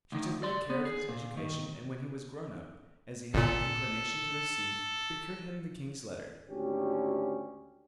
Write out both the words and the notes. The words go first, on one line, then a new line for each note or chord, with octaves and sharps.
She took great care of his education, and when he was grown up, as he had an inclination to the sea, procured him the king's letter.
D2 D#3
D5 C6
B3
G#4
A#2
D#3
G1 A#2 A4
G#1 D2 C#4 G4